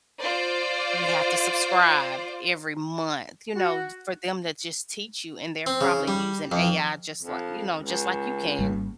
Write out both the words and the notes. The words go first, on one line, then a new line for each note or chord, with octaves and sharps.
you have to subscribe every month, you know, f for them to just teach you. And they're probably using AI just li you know, just like you can,
F4 C5 D5
F#4
C4
C#3
G3
F2
F2
C#2
G#1 G3 A#3